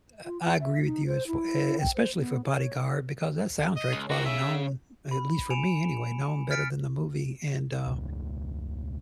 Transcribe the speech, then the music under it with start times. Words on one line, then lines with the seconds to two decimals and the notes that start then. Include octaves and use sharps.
a I agree with you as f e es especially for Bodyguard because that soundtrack is probably known, at least for me anyway, known better than the movie and, uh,
0.25 F4
0.43 F4
0.60 E5
0.86 D#4
1.07 C5
1.27 E4
1.80 G5
1.95 C5
2.17 B3
2.45 C#5
3.76 D#5
3.92 C#2
4.10 D#3 C4 F#4
4.25 C#3 E5
5.11 B5
5.50 G#5 C#7 D7 E7 F7
6.51 F6 A6 B6 C#7 D7
7.86 E1 C#2